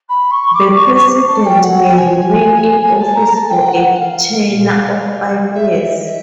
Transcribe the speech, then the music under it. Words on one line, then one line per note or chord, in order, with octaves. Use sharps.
The president may remain in office for a tenure of five years.
B5
C#6
D6
C#6
C#6
A5
G5
F#5
G5
G#5
G#5
A5
A#5
A5
G5
F#5
F#5
F5
E5
E5
D#5
E5